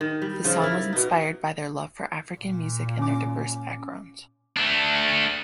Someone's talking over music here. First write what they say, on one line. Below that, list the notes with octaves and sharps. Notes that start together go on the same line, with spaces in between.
The song was inspired by their love for African music and their diverse backgrounds.
D#3
G3
C#3 F3
E4 A#4 D5
B2 D#4
A#2
C#4 D6
A3 D4